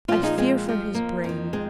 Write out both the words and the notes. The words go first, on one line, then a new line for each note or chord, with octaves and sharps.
I fear for his brain.
A#2 F3 C4 F4
D#4 G#4
G#3 C4
F2 F3
A#3
F2
D#3
G#3 C4